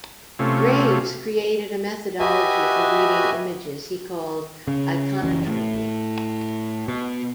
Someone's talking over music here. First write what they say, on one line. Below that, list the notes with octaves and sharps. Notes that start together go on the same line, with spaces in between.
Graves created a methodology for reading images he called "iconotropy".
C3 A3 C#4 F4
F#4 G4 B4 D#5 E5 G#5
C#3
F#1 C#2 E3 C#4
A2
B2